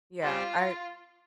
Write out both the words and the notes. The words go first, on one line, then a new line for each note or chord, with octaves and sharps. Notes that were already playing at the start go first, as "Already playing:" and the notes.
Yeah. I
G3 C4 F4 G4 C5